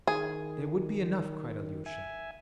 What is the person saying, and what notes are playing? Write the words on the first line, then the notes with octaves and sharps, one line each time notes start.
"There would be enough!" cried Alyosha.
D#3 G#4
E5 G#5